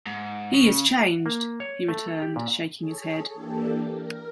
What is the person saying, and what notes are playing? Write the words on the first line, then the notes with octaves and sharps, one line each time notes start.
"He is changed," he returned, shaking his head.
G#2
C#3
F#5
A#3
C#5
A3
A4
G4
A#2
G#4 A4 C#5
E3 A#3 D4 G4 A4
A#4